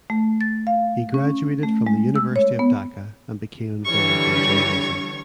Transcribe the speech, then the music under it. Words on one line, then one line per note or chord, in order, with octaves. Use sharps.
He graduated from the University of Dhaka and became involved in journalism.
A3
A6
F5
C#4
A3
G#3
E6
C#5
B3
D3 E3 G3 C#5 C#6